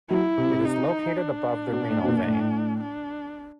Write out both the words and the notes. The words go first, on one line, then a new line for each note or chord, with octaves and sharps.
It is located above the renal vein.
F#3 E4
C3
D#4
D4
B2
A2
B2
A#2
A2
D4